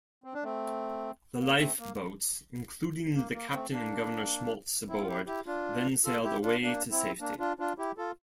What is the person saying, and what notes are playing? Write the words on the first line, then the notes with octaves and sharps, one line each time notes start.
The lifeboats, including the captain and Governor Schmaltz aboard, then sailed away to safety.
C4
D4
A3 C4
A#3
A3 C4
A#3
A#3
A#3
A3 C4
A#3 D4
C4 E4
F4
E4 G4
E4 G4
D4 F4
F4 A4
E4 G4
D4 F4
A#3 D4
C4 E4
A#3 D4
D4 F4
D4 F4
E4 G4
F4 A4